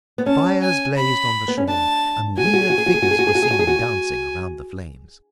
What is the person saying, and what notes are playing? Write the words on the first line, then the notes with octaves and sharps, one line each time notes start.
Fires blazed on the shore and weird figures were seen dancing around the flames.
B3
C#4 A5
G#5
B5
B3
C#4
D4 A5
F#4 G#5
G#4
F#4
G#4
F#4
G#4
F#4
G#4
F#4
G#4
F#4
G#4
F#4
G#4
F#4
G#4
F#4
F#4